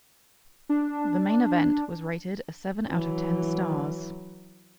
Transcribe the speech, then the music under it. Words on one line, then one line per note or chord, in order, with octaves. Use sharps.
The main event was rated a seven out of ten stars.
D4
E3 F#3